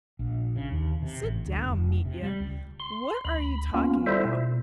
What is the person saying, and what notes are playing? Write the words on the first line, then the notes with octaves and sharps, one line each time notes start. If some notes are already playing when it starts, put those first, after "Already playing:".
Sit down, Mitya, what are you talking about?
A#1
C#3
D#2
C3
A1
D2
F1
C3
G3
C#2
C6
D2 B5
A#3 B3 C#4 F4
G3 E4 F4 A4 C5 E5
B2